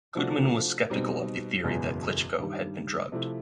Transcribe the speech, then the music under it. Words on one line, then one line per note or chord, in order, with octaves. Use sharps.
Goodman was skeptical of the theory that Klitschko had been drugged.
C3 F3 A3 D4 F#4
B2 G3 C4 D#4
F#1 E2 B2 G#3 B3
G2 D#3 G3
C3 F3 A3 C4 E4